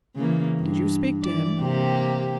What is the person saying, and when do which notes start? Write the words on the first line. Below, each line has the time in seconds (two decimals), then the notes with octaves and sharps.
"Did you speak to him?"
0.16 C#3 E3 A#3
0.60 G2
1.23 E3 D5
1.59 C3 A#3 G4